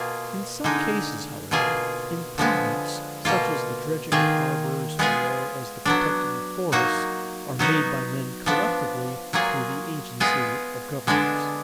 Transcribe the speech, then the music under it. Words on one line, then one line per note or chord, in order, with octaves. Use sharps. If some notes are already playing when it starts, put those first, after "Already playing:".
In some cases, however, improvements such as the dredging of harbors or as the protecting of forests, are made by men collectively through the agency of governments.
Already playing: B2 A#3 F4 G#4
D3 G#3 D#4
B2 A#3 F4 G#4
D3 F3 G#3 B3
B2 A#3 F4
D#3 A#3 F4 G#4
G#3 B3 F4 G#4
F#3 B3 D4
F#3 A#3 D#4 F#4
F#3 B3 D#4 F#4
F3 B3 D4
F#3 A#3 F4 G#4
G#3 B3 F4 G#4
D3 G#3 B3 D4